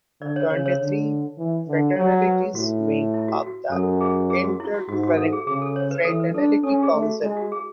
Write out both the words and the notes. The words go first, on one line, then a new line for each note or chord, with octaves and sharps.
Twenty-three fraternities make up the Interfraternity Council.
D3 D5
C#5
C#3 C#5
C#5
D3
E3
D3
F#3 C#5
B4
A2 F#4
E4
F#4
F#4
F#2 A4
G#4
G#4
F#4
E4
F#4
G#2 F#4
F#4
A4
G#4
C#3 G#4
A4
C#5
B4
E3 A4
B4
D4 A4
C#4 A4
G#4
A3
F#4
G#3 E4
F#4
G#4